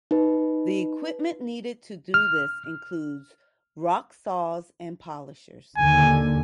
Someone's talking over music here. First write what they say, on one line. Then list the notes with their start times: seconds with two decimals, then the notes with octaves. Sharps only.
The equipment needed to do this includes rock saws and polishers.
0.11 D#4 B4
2.14 F6
5.77 D#2 D3 G#5